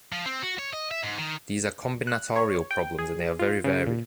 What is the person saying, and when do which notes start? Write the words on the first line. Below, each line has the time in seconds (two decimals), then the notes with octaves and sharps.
These are combinatorial problems and they are very varied.
0.12 F3
0.26 C4
0.43 F#4
0.59 C#5
0.73 D#5
0.91 E5
1.03 G#2
1.18 D#3
2.07 F#6
2.36 C#5
2.71 G5
2.98 G#4
3.39 F4
3.64 C#3
3.87 A#2